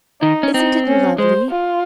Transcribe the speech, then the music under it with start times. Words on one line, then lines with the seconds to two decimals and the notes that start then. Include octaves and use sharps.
Isn't it lovely?
0.22 D#3 D#4
0.43 C#4
0.54 C4 D#4
0.87 C#4
1.18 G#3 C5
1.51 F4